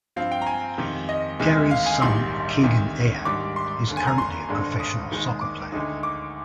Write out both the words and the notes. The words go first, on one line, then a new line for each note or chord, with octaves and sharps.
Garry's son Keegan Ayre is currently a professional soccer player.
G2 F3 C4 F5
G5
A#5
G#5
F2 C3 D#3
D#5
D2 C3 D#3 G#3
F5
G#5
A#1 G#2 D#3 G3 D4 C6
D2 C3 D#3
G#2 D#3 G3 D4 D6
C6
F1 D#2 D3
G#5
A#5
C6
G#1 G2 D3 G#3 D4
D#6
D#2 D#3 G#3
D6
D2 D3 G#3 D#4
D6